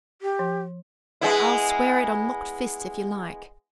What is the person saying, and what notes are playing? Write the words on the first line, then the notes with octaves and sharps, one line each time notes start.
'I'll swear it on locked fists, if you like.
G4
F3
G#3 B3 E4